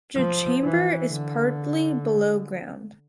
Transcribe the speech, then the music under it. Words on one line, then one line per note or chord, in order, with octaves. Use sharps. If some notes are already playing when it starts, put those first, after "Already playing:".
The chamber is partly below ground.
F3
E3
D3